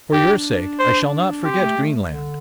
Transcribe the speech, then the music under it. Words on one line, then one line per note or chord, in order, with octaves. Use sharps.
"For your sake I shall not forget Greenland."
D4 G4
C5
C4 G4
A3
A3
D3